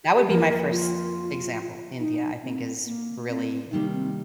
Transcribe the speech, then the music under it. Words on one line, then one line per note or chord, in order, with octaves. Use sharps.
That would be my first example. India, I think is really
G4
F2 F3 A#3 A#4
F4
D#4
C4
A#3
C4
C3 D#3 G3 A#3 D#4
C4